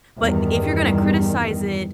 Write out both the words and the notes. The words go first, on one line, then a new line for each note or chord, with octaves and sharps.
but if you're gonna criticize it,
E2 G2 D#3 G3